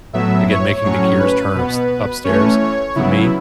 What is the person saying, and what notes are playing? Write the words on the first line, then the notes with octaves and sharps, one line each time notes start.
again, making the gears turn ups upstairs for me.
A2 F#3 B3 E5
C#5
A2 F#3 C#4 C#5
B4
B2 B3
E3 A3 C#4 C#5
C#5
C#3 F#3 B3 E4